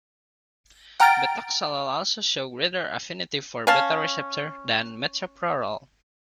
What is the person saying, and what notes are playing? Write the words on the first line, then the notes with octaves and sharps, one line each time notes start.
Betaxolol also shows greater affininty for beta receptors than metoprolol.
F#5 G5 A#5 F6 A6 D7
C#4 F5 A5